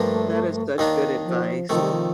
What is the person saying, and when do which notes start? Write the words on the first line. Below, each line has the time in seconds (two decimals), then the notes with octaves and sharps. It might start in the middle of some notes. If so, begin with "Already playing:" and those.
That is such good advice.
Already playing: G2 F3 A3 A#3 D4
0.78 D#2 D#3 A#3 D4
1.25 F3
1.69 C3 D#3 F3 A3
1.81 G3
1.92 F3